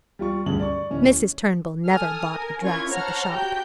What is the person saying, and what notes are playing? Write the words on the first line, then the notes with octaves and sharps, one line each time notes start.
Mrs. Turnbull never bought a dress at the shop.
G3 F4 C#6
D2 G2 C#3 F#7
D5 C#6
D1 C#4
A4 G#5 D#6 F6
A#4 G#5
A#3 C#4 E4 F4 C#6 G#6
C5 C#5 F#5 A5 A#5 F6
F#4 G4 G5 G6